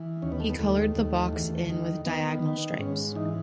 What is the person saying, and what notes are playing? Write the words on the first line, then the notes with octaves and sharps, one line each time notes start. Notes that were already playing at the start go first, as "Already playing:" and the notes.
He coloured the box in with diagonal stripes.
Already playing: E3
D#2 C#4
B3
A3
B3
D#2 A3
D#2
E2
D#3
D#3 B3
D#3
G#2 C#4
E3 D#4